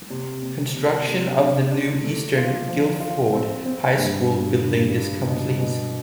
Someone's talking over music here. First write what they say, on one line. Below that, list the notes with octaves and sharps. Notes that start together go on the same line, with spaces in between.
Construction of the new Eastern Guilford High School building is complete.
C3
C3
C3
C3
D4
D4
A3
F4
F3
F4
C4
C4
G2
G2
G2
G2
B2
B2